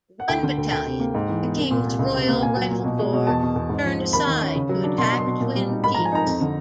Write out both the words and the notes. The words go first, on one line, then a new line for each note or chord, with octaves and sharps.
One battalion, the King's Royal Rifle Corps turned aside to attack Twin Peaks.
F#5
D2 G5
D3
D2
D2 G5
C3
A#3
G#2
E3
B3
C2
A#2
C2
C#2
C3
A#3
A#2 G#5
F#3
A#2
B2
G#3
B2
E2 A5
B2
E2
G#2
F3
C4
D#2 B5
D#3
C#4
C#3
F#3
D4
B2 C6
F#3
C6
B2
A#2
G3
D#4
G#2 B5
A#5
F3
G#5
D#4 A#5
F2
D3